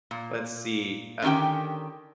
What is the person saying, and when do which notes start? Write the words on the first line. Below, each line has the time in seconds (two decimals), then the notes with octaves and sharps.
Let's see, uh
0.11 A#2
1.22 D3 D#3 C#4 G4 G5